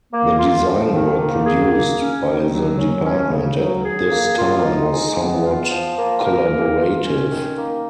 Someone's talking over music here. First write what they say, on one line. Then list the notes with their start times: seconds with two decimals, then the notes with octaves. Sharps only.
The design work produced by the department at this time was somewhat collaborative.
0.12 A#3
0.38 F4
0.65 F2
0.92 D#3
1.18 A#3
1.45 G#4
1.72 A#3
1.98 C#4
2.25 D#3
2.51 F#3
2.78 C#4
3.05 C#4
3.31 C#3
3.57 F#3
3.85 G#4
4.11 A#3
4.37 F4
4.64 D#4
4.91 G#3
5.17 B3
5.44 F4
5.71 F3
5.97 A#3
6.24 A#4
6.51 A#3
6.77 F4
7.03 C#4
7.30 D#3
7.57 A#3